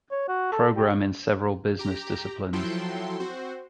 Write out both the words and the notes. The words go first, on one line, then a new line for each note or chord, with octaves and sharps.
Program in several business disciplines.
C#5
F#4
A4
G4
G4 A#5
F3 F#3 E4 A4 G5 C6
C4 F#4 C5